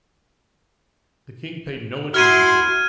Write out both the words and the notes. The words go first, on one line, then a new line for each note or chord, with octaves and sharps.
The king paid no attention to it.
E4 F#4 C6 F6 G#6 D#7